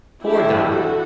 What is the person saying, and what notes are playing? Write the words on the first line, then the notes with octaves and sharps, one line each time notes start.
Poor Dot!
E3 B3 D4 E4 G4
F#4 A4